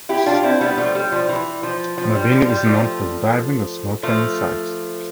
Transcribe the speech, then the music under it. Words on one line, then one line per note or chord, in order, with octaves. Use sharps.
Mabini is known for its diving and snorkeling sites.
E4 G4
D4 F4
C4 E4
G3 B3
F3 A3
G3
F3
E3
F3
F3
G3
F3
G3
F3 A3
F3 A3